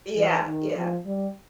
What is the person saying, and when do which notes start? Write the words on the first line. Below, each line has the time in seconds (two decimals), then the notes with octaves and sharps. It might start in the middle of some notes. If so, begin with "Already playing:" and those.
Yeah, yeah.
0.16 E3
0.46 D#3
0.75 F3
1.05 G3